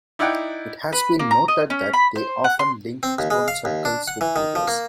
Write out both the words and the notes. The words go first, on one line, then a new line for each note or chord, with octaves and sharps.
It has been noted that they often link stone circles with rivers.
D#4 E4 D5 E5 F#5 G5
B4
A#3
A#5
D#5
C#4
B5
C5
F#5
C6
C4
D#2
G#3
F5
D#2
D4
F#5
E3
D#3
F3
A#3